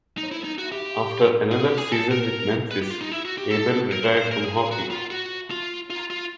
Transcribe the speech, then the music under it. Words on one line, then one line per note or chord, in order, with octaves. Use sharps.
After another season with Memphis, Abel retired from hockey.
D#4
E4
D#4
F#4
G4
G#4
G4
G#4
A4
A#4
B4
G4
F4
D#4
E4
F#4
G4
A4
A#4
C5
C5
A#4
G#4
G#4
F#4
F4
F#4
F4
F4
F4